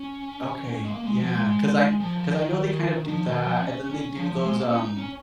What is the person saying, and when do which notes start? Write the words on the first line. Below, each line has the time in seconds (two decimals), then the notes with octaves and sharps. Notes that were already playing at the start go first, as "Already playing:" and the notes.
Okay. Yeah, 'cause I cause I know they kind of do that, and then they do those, um,
Already playing: C#4
0.85 G#3
0.91 A#3
1.04 G#3
1.19 F3
1.32 G#3
2.00 F3
2.18 F3
2.36 D#3
3.08 F3
3.26 D#3
3.44 F3
3.62 C#4
3.90 C#4
4.16 F3
4.30 F3
4.44 G#3
4.57 A#3
4.70 C#4
4.84 D#4
4.98 C#4